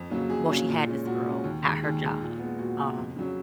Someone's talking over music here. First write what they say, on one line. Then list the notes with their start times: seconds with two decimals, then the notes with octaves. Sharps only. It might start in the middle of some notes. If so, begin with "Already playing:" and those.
well she had this girl at her job, um,
Already playing: F2
0.10 C#3 F#3 A#3 C#4
0.30 F2 G#4
0.49 C#3 F#3 A#3 C#4
0.69 A#2
0.87 G#3 C#4
1.06 A#2 F#4
1.25 G#3 C#4
1.44 D#2
1.63 D#3 G#3
1.83 D#2 G#4
2.01 D#3 G#3
2.21 A#2
2.39 G#3 B3
2.59 A#2 F#4
2.79 G#3 B3
2.97 F2
3.16 C#3 F#3 C#4